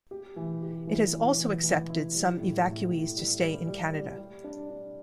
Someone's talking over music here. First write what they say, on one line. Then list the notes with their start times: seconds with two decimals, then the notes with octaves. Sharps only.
It has also accepted some evacuees to stay in Canada.
0.11 G4
0.36 E3
0.62 G4
0.87 E3
1.12 E3
1.38 E3
1.63 E3
1.90 E4
2.15 G3
2.40 A2
2.65 A2
2.91 A2
3.17 G3
3.42 G3
3.68 G3
3.94 G3
4.18 G3
4.44 D4
4.70 D4